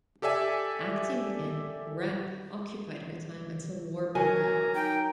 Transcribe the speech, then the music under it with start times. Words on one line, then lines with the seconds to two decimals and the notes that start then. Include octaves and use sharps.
Acting in "rep" occupied her time until war broke out.
0.22 G4 A4 D5 E5 G#5
4.15 F#3 A#4 G#5
4.75 D#4 G5